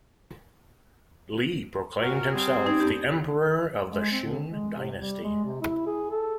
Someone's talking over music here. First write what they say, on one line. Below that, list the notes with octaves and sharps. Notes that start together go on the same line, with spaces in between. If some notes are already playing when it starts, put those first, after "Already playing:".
Li proclaimed himself the Emperor of the Shun dynasty.
F#4 A#4
G3 C4 G#4
C#4 D#4 G#6
F2 B3 G4
G#3
C4
D3
G#3
C3
G3
G#3
C3
E4
G#4
A4